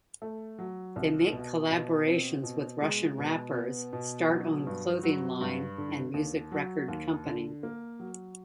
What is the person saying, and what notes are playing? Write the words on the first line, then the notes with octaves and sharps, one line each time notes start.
They make collaborations with Russian rappers, start own clothing line and music record company.
A3
F#3
C2
B2
B2
C4
B2
G#3
B2
B3
B2
F#3
G2
F#3
G2
D3
D#2
F#3
D#2
D3
A#3
F#3